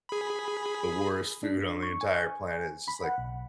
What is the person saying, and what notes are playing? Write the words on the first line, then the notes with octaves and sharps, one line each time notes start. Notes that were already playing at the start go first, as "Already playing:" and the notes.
the worst food on the entire planet, it's just like,
G#4 B5
D4
C#6
G#5
B5
F#5
B1